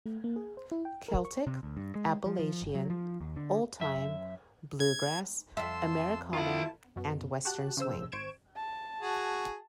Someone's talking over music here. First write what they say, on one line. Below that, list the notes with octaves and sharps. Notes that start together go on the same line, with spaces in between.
Celtic, Appalachian, Old Time, Bluegrass, Americana and Western Swing.
A3
A#3
G#4
C5
E4
G5
A#4
C#6
C3
D2
G2
G#3
F3
F3
G1
F#3
F3
D#2
D3
F#2 E5
G#6
F2 E5 A5 C6 E6
E4 F4 A5 B5
F#2 B2
F#4 G4 A5 F#6
C#3 F3 C5 E6
G#1 C5 C#6 G#6 D7 E7
A5
F#4 G#4